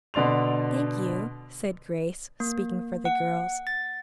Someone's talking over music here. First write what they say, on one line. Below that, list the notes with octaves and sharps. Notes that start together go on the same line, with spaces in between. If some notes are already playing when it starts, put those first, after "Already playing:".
"Thank you," said Grace, speaking for the girls.
B2 D3 D5 C6 F7
A#3
F#5
A6